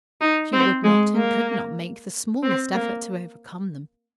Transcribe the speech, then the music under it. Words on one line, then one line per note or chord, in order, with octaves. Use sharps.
She would not and could not make the smallest effort to overcome them.
D#4
C4
G#3
A#3
C4
A#3